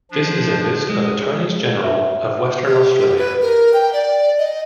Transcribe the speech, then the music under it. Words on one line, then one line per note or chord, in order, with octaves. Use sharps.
This is a list of Attorneys-General of Western Australia.
F3 D4
G#3
D4 B4 C#5 E5
G4
B4
A#4
G5
D5
D#5